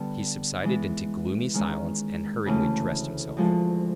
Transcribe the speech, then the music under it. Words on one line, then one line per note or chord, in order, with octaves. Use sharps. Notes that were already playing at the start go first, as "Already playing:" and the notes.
He subsided into gloomy silence and hurriedly dressed himself.
Already playing: D3 G3 B3
E3 G#3 B3
D#3 G#3 C#4
D2 C#3 E3 A3 C#4
D2 D3 F3 G#3